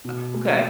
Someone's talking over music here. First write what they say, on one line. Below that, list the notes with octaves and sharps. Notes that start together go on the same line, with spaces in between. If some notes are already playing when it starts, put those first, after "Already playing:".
Uh, okay.
B2
G#3